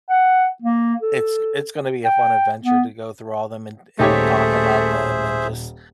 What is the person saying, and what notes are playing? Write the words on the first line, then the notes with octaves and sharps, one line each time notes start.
it's it's gonna be a fun adventure to go through all of them and and talk about them and just
F#5
A#3
A4
G5
B3
D#1 A3 D#4 G4 G#4 C5 C#5 E5